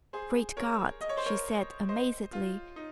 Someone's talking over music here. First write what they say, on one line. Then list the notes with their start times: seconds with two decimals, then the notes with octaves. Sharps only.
"Great God!" she said amazedly.
0.13 G#4 C5
0.57 A#4 C#5
1.01 D#5
1.09 C#5
1.17 C5
1.26 A#4 C#5
1.89 C5 D#5
2.33 F4
2.76 D#4